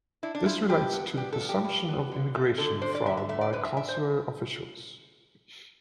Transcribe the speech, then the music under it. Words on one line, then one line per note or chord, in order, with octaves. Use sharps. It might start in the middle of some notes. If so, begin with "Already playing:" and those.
This relates to the presumption of immigration fraud by consular officials.
D4 E4
D4
F3 E4
G2 G4
B3
D4 G4
A4
F3
G4
G2
B3
D3
A3
D3 A4
D4 C5
D5
D3 E5
E5
A3 E5
D5
D3 B4
E5
D4 E5
C5